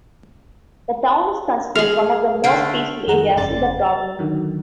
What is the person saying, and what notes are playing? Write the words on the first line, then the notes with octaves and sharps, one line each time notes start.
The town is considered one of the most peaceful areas in the province.
G#4 F5 F6
D3 A3 F6 C7 D7
F2 D#3 G#4 F#5 A#5
G1 F2 C#3 D5 C6 A6
A6
D3 D#3 F#3